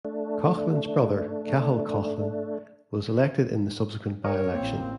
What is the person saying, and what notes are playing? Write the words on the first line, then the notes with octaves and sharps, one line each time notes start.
Coughlan's brother, Cathal Coughlan, was elected in the subsequent by-election.
A3 D4
A#4 C#5
A1 A#3 C4